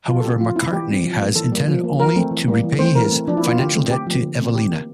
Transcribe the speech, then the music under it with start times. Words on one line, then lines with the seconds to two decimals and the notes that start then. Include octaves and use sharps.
However, Macartney has intended only to repay his financial debt to Evelina.
0.08 F3 F4
0.20 A4
0.24 A3 C4 G4
0.40 F3 F4
0.56 C4 E4
0.73 E3 G4
0.88 G3 C4
1.04 F3
1.20 A#3
1.36 E3 A4
1.52 G3 A#3
1.68 F3
1.84 A#3
1.99 F3 A#4
2.16 A3 C4
2.31 E3
2.48 G3 A#3
2.63 E3
2.79 A3 C4 C5
2.95 E3 A#4
3.12 A3 C4
3.28 F3 D4
3.37 E4
3.43 A#3
3.49 F4
3.59 D3 G4
3.75 A3 C4
3.90 D3 G4
4.07 F3 A#3
4.23 D3
4.39 A3 C4
4.54 E3 G4
4.70 A#3